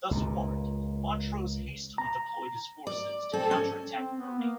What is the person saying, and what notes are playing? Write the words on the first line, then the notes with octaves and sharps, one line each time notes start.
Thus warned, Montrose hastily deployed his forces to counter-attack Urry.
C#2 A#2
A#5
D5
C4 A4
C#4
C4
B3
A#3